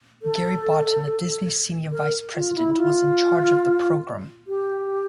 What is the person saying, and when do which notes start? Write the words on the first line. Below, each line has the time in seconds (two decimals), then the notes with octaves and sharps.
Gary Barton, a Disney senior vice president, was in charge of the program.
0.22 A4
1.92 A#4
2.35 F4
2.56 E4
2.77 F4
4.47 G4